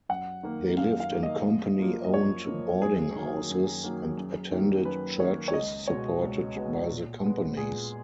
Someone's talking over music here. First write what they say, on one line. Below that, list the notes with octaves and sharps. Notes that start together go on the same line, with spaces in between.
They lived in company-owned boarding houses, and attended churches supported by the companies.
F#2 F#5
D#3 A#3
F#2 F5
F5
D#3 A#3
D#5
F#2
F3 A#3
D#5
F#2 C#5
F3 A#3
F#2 G#4
D#3 F#3 A#3
F#2
D#3 F#3 A#3
F#2
D#3 A#3
F#2 B4
D#3 A#3 C#5
C#5
C#2 D#5
B2 G#3 B3 C#5
C#2
B2 G#3 B3
A#2
G#3 B3
A#2 G#4